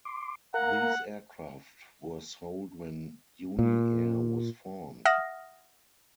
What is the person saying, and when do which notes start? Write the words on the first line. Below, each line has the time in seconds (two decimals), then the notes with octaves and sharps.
These aircraft were sold when Uni Air was formed.
0.05 C6 D6
0.54 A#4 F5 F#5 A#5
3.59 A#2
5.05 E5 F#5 D#6 F6 A#6